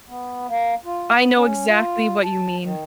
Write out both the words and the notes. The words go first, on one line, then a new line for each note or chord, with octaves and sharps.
I know exactly what you mean.
B3
A#3
F4
B3
C#4
F4
A5
D#3